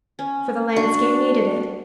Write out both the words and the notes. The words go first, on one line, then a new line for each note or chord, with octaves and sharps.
For the landscape needed it.
C#4
D4 F#4